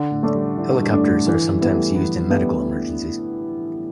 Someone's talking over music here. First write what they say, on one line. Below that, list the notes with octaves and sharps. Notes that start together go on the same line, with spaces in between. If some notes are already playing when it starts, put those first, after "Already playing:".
Helicopters are sometimes used in medical emergencies.
Already playing: D3
A2
A3 D4
G3
D3 E3
G2
A3 D4
A2
D3 E3
G3
G3 B3 E4
A3
E3 B3
G3 A3 B3 E4